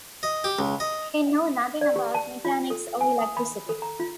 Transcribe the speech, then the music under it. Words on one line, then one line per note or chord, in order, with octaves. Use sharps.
He knew nothing about mechanics or electricity.
D#5
G4
C#2
D#5
D5
G4
A5
F4
A4
G#5
D#6
B5
A4
A#5
F4